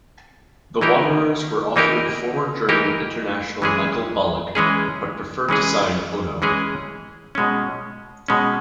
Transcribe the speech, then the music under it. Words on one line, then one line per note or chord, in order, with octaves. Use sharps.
The Wanderers were offered former German international Michael Ballack but preferred to sign Ono.
E3 A#3 D#4 G4 A#4
E3 A#3 D#4 G4 A#4
E3 A#3 D#4 G4 A#4
E3 G#3 C#4 G#4
E3 G#3 C#4 G#4
E3 G#3 C#4 G#4
E3 G#3 C#4 G#4
B2 G#3 C#4
B2 G#3 C#4